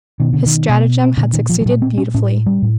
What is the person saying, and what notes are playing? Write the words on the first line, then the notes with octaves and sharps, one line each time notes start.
His stratagem had succeeded beautifully.
B2 D#3
D3
D#3
B2
A#2 D3
D#3
F3
F3
A#2 F#3
C4
C#4
A2 C#4
G3
A2